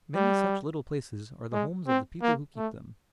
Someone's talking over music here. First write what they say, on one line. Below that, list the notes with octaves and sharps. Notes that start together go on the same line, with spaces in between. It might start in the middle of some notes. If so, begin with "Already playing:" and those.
Many such little places are the homes of the people who keep them.
G3
G#3
C4
A#3
A3